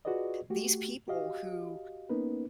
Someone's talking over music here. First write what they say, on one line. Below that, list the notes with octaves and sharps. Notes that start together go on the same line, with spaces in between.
these people who
F4 F#4 G#4 B4 D5 D#5
A3 F#4 G4
F#4 G4 D#5 F5
A#3 B3 C#4 D#4 A#4 B4